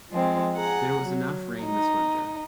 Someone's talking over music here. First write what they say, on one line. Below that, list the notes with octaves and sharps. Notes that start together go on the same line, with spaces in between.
There was enough rain this winter.
F3 G#3 C4
G#4 F#5 A#5
F#3
D#4